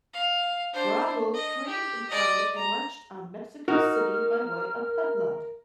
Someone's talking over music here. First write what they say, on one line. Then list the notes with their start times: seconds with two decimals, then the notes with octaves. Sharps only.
Bravo created an army and marched on Mexico City, by way of Puebla.
0.13 F5
0.73 D4 C5
1.34 D#5
1.67 G4
2.09 D5 D#5
2.56 A#5
3.68 D#4 F#4 A#4 F6